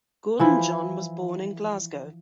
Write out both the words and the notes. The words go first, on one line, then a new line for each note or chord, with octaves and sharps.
Gordon John was born in Glasgow.
E3 F3 E4